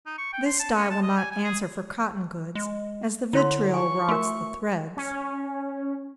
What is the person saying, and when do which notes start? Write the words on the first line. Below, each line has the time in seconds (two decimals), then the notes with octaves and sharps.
This dye will not answer for cotton goods, as the vitriol rots the threads.
0.06 D#4
0.18 C#6
0.33 G5
0.46 C6
0.60 A5
0.76 C#4
0.90 A5
1.02 D#5
1.17 G#5
1.31 G#5
1.44 G#4
2.55 G#3
3.33 D3 E4 C#5 C6
3.74 G#5 C#6
4.09 A3 F#4 A#4
4.97 C#4